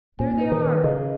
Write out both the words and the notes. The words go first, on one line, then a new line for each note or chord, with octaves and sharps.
There they are...
A#2 G#5
B4
D#3
B4
C#3 D#5